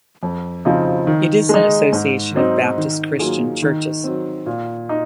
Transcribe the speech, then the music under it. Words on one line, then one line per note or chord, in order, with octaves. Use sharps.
It is an association of Baptist, Christian churches.
F2
C#3 F3 C4 D#4
D#3
G#3 D#4
G#2
F#3 C4 D#4
D#3
F#3 A#3 F4 G#4
D#3
F#3 C4
A#2
D#4